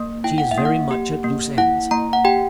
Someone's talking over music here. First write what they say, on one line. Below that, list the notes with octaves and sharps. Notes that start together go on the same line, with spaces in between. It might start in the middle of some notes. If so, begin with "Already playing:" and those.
She is very much at loose ends.
Already playing: A#3
E4 G5
F#5
E5
A#3
F#5
G4
A#3
E4 F#5
A#3 A#5
F#5
G4 G5